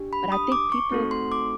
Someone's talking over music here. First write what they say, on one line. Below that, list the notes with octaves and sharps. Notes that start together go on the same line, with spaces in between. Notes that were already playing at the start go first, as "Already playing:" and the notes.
But I think people
Already playing: D4 G4
B5
D#6
D6
C#6
A3 C4 D#4 F#4 A4
C6
D6